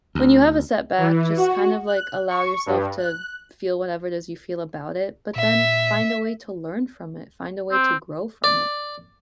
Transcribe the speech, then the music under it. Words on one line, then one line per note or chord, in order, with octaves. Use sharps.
when you have a setback, just, kind of, like, allow yourself to feel whatever it is you feel about it, but then find a way to learn from it, find a way to grow from it.
D2
E3
F#4
F#6
C#6
G2
F#6
A#2 E5
C4
D5